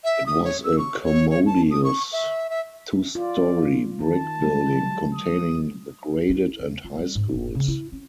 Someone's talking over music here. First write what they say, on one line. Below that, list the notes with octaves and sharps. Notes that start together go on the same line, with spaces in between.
It was a commodious two-story brick building containing the graded and high schools.
E5
D#6
C#5
E6
C#6
C#5
C#5
A5
D#6
C#6
E5
E5
F4 D5
D#3 A5
G3 G#3
F#3
D#6
E4
E2
F4
G3
G#2
E1
C#3
E4
C#4